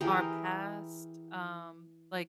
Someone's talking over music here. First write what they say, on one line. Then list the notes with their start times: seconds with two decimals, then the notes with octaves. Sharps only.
our past, um like,
0.01 E3 G4 G#4 A#4